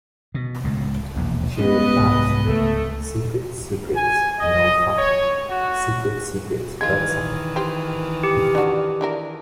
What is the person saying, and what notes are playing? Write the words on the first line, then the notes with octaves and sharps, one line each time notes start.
She replies, "Secret secrets are no fun, secret secrets hurt someone".
B2
C#2 A2
E1 A#1 D#2
G#3 B3 C#4 B4 D#5
C2 G#2
C#2 A3
G#5
D#5
C#5
F#4
D#3 E3 G#3 F4 G#6
G4 C5
G4
D4 F#4
D4 E4 A#4